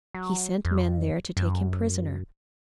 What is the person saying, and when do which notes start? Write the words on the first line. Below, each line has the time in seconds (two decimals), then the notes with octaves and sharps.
He sent men there to take him prisoner.
0.14 F#3
0.65 F2
1.37 F#2